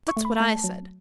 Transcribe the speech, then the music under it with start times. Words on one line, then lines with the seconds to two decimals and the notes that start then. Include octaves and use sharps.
That's what I said.
0.08 C#6
0.17 A3
0.25 B5
0.40 A3 A5
0.64 F#3